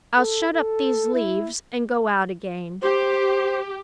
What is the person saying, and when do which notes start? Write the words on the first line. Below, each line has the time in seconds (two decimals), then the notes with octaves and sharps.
I'll shut up these leaves and go out again.
0.18 A4
0.54 A4
1.14 E4
2.82 G4 C5